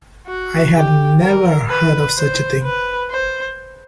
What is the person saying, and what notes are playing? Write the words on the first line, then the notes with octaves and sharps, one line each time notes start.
I had never heard of such a thing.
F#4
G4
A#4
B4
C5
B4
C5